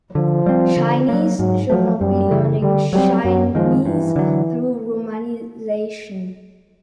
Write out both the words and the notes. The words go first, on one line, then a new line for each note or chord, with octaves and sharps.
Chinese should not be learning Chinese through Romanization.
D3 F3
G3 C4
D3
F#3 A#3
G#2 F#3
F3 F#3 A3
F#2 G3
C#3 E3
D3 G3
F#3 G3 A3
C4
F#2 F#3
D#3 F3 G#3
G2 E3
D3 F#3